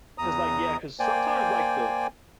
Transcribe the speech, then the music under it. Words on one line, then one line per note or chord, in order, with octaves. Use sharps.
'cause, like, yeah, 'cause sometimes, like, the
E2 A#5 D#6
A#3 C5 D5 G5 G#5